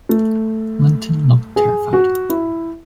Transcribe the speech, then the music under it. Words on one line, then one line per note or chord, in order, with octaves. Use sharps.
Linton looked terrified.
A3
G#4
F#4
E4